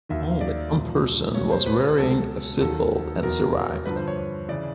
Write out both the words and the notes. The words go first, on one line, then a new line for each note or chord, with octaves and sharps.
Only one person was wearing a seatbelt and survived.
D#2 D#3 F#3 E5
E5
F5
D5
C2 A#2 F3
C#2 B2 F#3 C#5
C5
B4
C#2 B2 F#3 A4
D#2 D#3 F#3 A4
E2 B2 F#3 A#4
G2 D3 F3 B4
C5
C#5
C#5
C#3 E3 D5